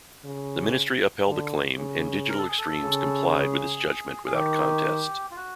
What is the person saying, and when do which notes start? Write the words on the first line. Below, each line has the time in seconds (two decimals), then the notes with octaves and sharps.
The Ministry upheld the claim and Digital Extremes complied with its judgment without contest.
0.25 C#3
1.28 D3
1.78 C#3
2.29 A#4
2.38 A4
2.48 G#4
2.58 A4
2.81 C#3
3.32 G#4
4.26 G#4
4.34 D#3 G4
5.31 F4
5.37 F#4